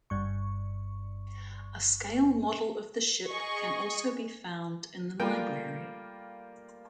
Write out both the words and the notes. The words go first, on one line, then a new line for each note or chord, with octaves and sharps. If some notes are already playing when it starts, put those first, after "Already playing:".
A scale model of the ship can also be found in the library.
G1 G2 C#6
G#4 D#5 C#6
G3 A3 A#3 F4 G5